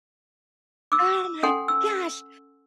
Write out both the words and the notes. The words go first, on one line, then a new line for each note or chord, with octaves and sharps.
Oh my gosh.
D6 E6
C#4 A4 F#5 G#5 C6
E6